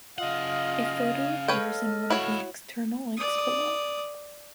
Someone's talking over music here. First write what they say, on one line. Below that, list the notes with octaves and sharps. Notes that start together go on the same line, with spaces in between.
A photo appears in one of the external links below.
C#3 F4 D#5 F5 F#5 D#6
A4 B4 C#5 D#5 G5 F6
E4 F#4 C#5 F5 B5
D5 D#6